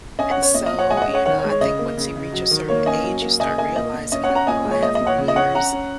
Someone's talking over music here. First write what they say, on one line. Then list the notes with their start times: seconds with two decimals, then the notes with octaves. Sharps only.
and so, you know, I think once you reach a certain age, you start realizing like, "Oh, I have more years,
0.19 C#4 D#5 G#5
0.30 C#5 F#5
0.36 C#4
0.42 C#5
0.54 A#2 D#5
0.66 D#5
0.73 A#2
0.78 C#5 F#5
0.90 G#3 D#5 G#5
0.97 F#5
1.02 D#5
1.08 C#4
1.14 C#5 F#5
1.25 D#3 C#5 F#5
1.39 C#5
1.44 G#3
1.50 C#5
1.61 C#3 D#5
1.79 A#3
1.97 C#3
2.16 C#3
2.33 F#3
2.51 D#3
2.69 A#3 C#5
2.86 C#4 D#5 G#5
3.04 F#3
3.22 A#3
3.40 C#3 D#5 G#5
3.58 A#3 D#5 G#5
3.76 A#2 D#5
3.94 A#2
4.12 C#4 D#5
4.24 C#5 F#5
4.30 C#4
4.35 F#5 A#5
4.47 A#2 D#5 G#5
4.65 G#3
4.71 C#5
4.83 A#2 D#5
4.95 D#5
5.01 A#2
5.07 C#5 F#5
5.18 C#3
5.28 D#5
5.36 C#4 C#5 F#5
5.54 C#4 F#5 A#5
5.73 C#4